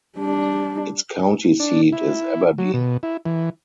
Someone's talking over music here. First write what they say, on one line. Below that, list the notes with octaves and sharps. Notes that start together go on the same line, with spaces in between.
Its county seat is Aberdeen.
G3 D4
D4
E4
F#3
B2
E4
E3